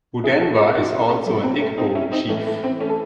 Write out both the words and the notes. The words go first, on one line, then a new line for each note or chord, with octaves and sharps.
Udenwa is also an Igbo chief.
C3 E3 E4 G#4
F#4 A4
E4 G#4
D#4 F#4
C#4 E4
A3 C#4
C3 F#3 A3
C4
A3 C#4
C4 D#4
C#4 E4
C4 D#4
A2 E3 A3 C#4
A3
C4
A3 C#4
A4